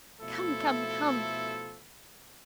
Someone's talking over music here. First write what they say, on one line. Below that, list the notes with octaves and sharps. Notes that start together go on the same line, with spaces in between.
'Come, come, come!
B2 F3 A3 E4 A4